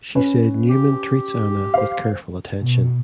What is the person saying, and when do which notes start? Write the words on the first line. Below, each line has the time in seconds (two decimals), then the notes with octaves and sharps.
She said Newman treats Anna with "careful attention".
0.15 C#4 B4
0.69 G4
1.74 C5 F5
2.60 B2